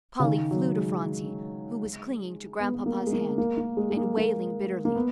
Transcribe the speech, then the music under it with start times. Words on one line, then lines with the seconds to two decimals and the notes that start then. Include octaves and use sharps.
Polly flew to Phronsie, who was clinging to Grandpapa's hand, and wailing bitterly.
0.20 C#3
0.24 D#3
0.51 F#3
0.77 G#3
2.60 B3
2.75 B3
2.86 A#3
3.07 G#3
3.13 A#3
3.38 A#3
3.58 A#3
3.77 G#3
3.90 G#3
3.97 A#3
4.17 A#3
4.85 A#3
4.95 B3